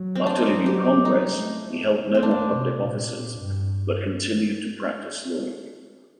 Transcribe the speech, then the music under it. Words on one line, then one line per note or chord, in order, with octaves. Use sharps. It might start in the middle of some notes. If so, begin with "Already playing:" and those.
After leaving Congress, he held no more public offices, but continued to practice law.
Already playing: F#3
C4
D4
D#4
F#3 F#4
G4
G3 D#4
A3
C4
A#3 D4
C3
A#2
A#2
G2